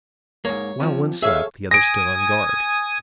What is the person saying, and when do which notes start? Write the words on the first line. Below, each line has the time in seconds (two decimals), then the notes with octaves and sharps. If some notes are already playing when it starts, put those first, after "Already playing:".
While one slept, the other stood on guard.
0.45 G#2 A#3 C#5
0.80 C3 F3
1.22 G#4 A4 C#5 E5 F5
1.71 G#5 D#6 A#6 D7